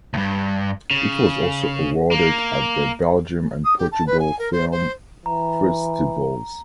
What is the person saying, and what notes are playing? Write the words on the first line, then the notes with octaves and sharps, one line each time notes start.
It was also awarded at the Belgium and Portugal film festivals.
D2 G2
C#3
A#3
D#6
G4
A5
B4
G#5
A#4
C5
C5
E3 A#5